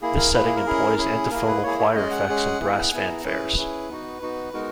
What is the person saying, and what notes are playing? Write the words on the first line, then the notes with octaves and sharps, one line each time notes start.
This setting employs antiphonal choir effects and brass fanfares.
A#3 E4 G#4
A#4
A#3 E4 G#4 B4
G#4
A#4
C#4 E4 G#4
C#4 E4 G#4
A#3 E4 G#4 A#4
B4
A#3 E4 G#4 C#5
C#5
G#3 C#4 G#4 D#5
F#5
G#3 C#4 G#4
B3 E4 G#4
B3 E4 G#4 G#5
A#5
C#4 E4 G#4 B4
C#4 E4 G#4
B3 D#4 F#4
B3 D#4 F#4
G#3 B3 D#4 F#4 A#4